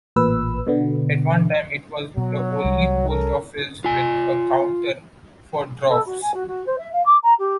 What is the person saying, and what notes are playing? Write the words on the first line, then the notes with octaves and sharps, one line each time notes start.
At one time, it was the only post office with a counter for dwarfs.
A1 A#2 B4 E6
B2 D3 B3
B2 F#3
C2 G3
C#4 A4 A#4
F4 G#5
A4
F#4
G#5
F#4
F#4
C5
E5
F5
D6
A#5
G4